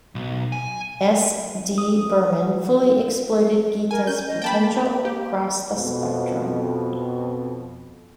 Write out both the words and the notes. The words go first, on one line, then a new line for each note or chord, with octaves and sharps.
S D Burman fully exploited Geeta's potential across the spectrum.
B1
G#5
D#6
F#4
A#4 G#5
C#4 G6
D#5
A#3 G5 A5 B5
G4
F2 B2